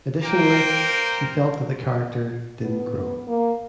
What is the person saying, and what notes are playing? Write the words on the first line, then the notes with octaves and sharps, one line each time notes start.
Additionally, she felt that the character "didn't grow".
A#3 A#4 C5 G5
B3
A#3